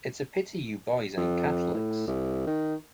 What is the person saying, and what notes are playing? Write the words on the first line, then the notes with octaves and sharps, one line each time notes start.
It's a pity you boys aint Catholics.
F2
A2
C2
D#3